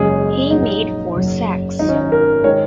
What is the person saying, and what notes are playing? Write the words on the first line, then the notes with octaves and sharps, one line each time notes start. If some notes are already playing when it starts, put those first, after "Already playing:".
He made four sacks.
Already playing: F#1 F#2 C#3 G#3 G#4
A#1 A#2 F#3 D#4
F#1 F#2 F#3
G#1 G#2 F#3 D#4
C#4
D#4
A#4
D#3 G#3 C#5